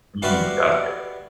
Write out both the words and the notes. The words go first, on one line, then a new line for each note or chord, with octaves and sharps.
Mm, got you.
F#4 G4 B4 D5 E5 F5